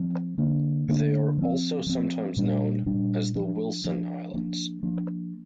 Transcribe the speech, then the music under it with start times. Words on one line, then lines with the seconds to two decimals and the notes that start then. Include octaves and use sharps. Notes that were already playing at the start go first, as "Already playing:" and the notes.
They are also sometimes known as the Wilson Islands.
Already playing: F3 C4
0.38 D3 A#3 D4
0.88 D3 A#3 D4
1.38 F3 C4
1.87 F3 C4
2.37 A#2 G3 D4
2.86 A#2 G3 D4
3.35 F3 D4
3.84 F3 D4
4.34 F3 A#3 D4
4.83 F3 A#3 D4